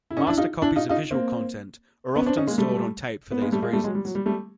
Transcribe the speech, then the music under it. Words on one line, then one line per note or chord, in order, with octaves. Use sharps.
Master copies of visual content are often stored on tape for these reasons.
E4
C#4 D#4
D4 E4
D#4 F4
D4 E4
D#4 F4
D#4 F4
A#3 C4
B3 C#4
C4 D4
C#4 D#4
G#3 A#3
G3 A3
B3
G#3 A#3
G3 A3
G#3 A#3
G3 A3
F#3 G#3
G3
F#3
G3
G3 A3